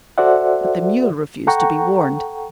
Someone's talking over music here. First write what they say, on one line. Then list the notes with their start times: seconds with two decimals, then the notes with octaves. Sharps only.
But the mule refused to be warned.
0.18 F#4 A4 C5 D5 E5 F#5
1.47 A4 F#5 G5 A#5 C#6